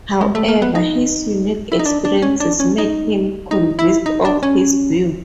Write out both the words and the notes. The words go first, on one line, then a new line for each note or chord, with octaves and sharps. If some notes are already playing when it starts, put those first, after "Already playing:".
However, his unique experiences made him convinced of his view.
G#3
A3
A#3
B3
D#4
E4
D#4
D4
D4
C#4
D4
C#4
D#4
D#4
E4
D#4
D4
C#4